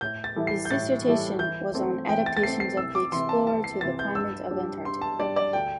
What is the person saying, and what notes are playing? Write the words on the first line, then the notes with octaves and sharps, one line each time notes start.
His dissertation was on "Adaptations of the Explorer to the Climate of Antarctic".
A2 G6
A6
E3 G3 E4 A4
C7
G6
A2 A6
E3 G3 E4 A4
E3 G6
A3 C4
E3 G5
A6
A6
A3 C4 C7
C7
C2 E6
D6
C3 E3 C6
A5
C2 A5
C7
C3 E3 A6
G6
G2 E6
G3 D4 G4
G2 C6
A5
G3 D4 G4 D5
D5
D2 G5